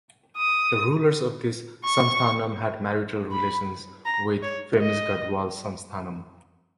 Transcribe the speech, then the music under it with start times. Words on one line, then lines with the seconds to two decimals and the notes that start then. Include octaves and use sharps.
The rulers of this Samsthanam had marital relations with famous Gadwal Samsthanam.
0.37 D#6
1.84 C#6
3.32 B5
4.06 A#5
4.43 C#5
4.80 D#5